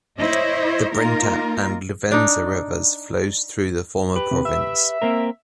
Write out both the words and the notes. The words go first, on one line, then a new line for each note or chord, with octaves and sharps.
The Brenta and Livenza rivers flows through the former province.
E4 C5 C#5 D#5 E5
A#3 D#4 F4 A#4
D4 D#4
G4 B4
C3
E5
A#3 C4 A#4